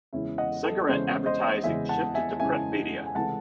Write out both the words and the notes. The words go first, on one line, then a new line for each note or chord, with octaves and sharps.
Cigarette advertising shifted to print media.
E2 C#3 G#3 C#4 E4
D#5 F#5
A4
E2 C#3 G#3 C#4 E4 C5
C5 D#5
E2 C#3 G#3 C#4 E4 E5 G#5
F#5 A5
E5 G#5
E2 C#3 G#3 C#4 E4 E5 G#5
G#5
C#2 C3 E3 A3 C4 F#5 A5